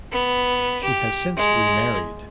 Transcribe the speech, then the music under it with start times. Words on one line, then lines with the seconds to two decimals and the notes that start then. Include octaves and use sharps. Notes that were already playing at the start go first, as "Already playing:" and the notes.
She has since remarried.
0.12 B3
0.83 G4
1.37 G#3